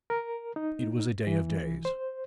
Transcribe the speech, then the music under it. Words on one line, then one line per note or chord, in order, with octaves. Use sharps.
It was a day of days.
A#4
D#4
E3
C5